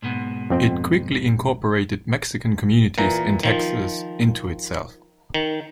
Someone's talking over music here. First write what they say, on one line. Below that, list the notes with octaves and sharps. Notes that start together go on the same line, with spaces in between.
It quickly incorporated Mexican communities in Texas into itself.
G#2 B2
F2 C4 G5
A#2 E3 A#5
D#3 F3
D#3